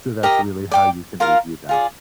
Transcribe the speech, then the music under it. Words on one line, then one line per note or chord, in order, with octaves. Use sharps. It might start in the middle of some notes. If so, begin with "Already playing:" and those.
So, that's really how you can review that.
G4 A#4 D#5 A#5
D5 G5 D6
F4 A#4 F5
F4 G#4 D5